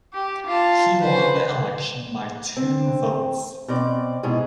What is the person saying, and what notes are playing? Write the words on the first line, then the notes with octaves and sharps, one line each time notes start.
He won the election by two votes.
G4
F4 A5
B4 C5
C4
B2 C4 D5
G#2 B2 E4 G#4